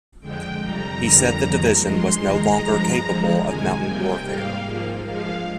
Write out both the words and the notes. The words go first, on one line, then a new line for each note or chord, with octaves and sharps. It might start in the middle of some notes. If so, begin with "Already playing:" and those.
He said the division was no longer capable of mountain warfare.
F2 D3 G#3 G5
F2 C3 G3 A#5
F2 D3 G3 A#3
F2 D#3 G#3
G2 F3 G#3 C6
D#2 D#3 G#3 A#5
G2 F3 G#3
F2 D3 F3 G#3
C3 D#3 G#3 G#5
C3 G3 A#3 G5
G#2 G3 A#3 F5
G#2 F3 A#3
G2 F3 G#3 F5